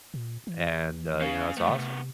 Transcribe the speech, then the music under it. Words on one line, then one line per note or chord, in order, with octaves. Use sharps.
And, uh, you know, it's awesome.
A#2
E3
C#4 F5
A3 B3
C3